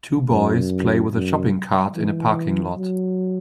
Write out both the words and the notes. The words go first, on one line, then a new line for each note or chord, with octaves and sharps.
Two boys play with a shopping cart in a parking lot.
F#2
F#2
E3
F#3